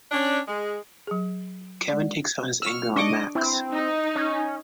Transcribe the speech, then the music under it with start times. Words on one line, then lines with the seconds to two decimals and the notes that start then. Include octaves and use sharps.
Kevin takes out his anger on Max.
0.12 C#4 D4
0.47 G#3
1.07 F#3 G#4
1.89 G#3 D5
2.62 C#6 E6 F6
2.96 D4 D#5 C#6 D6
3.35 C4 E4
3.73 D#4
4.15 C#4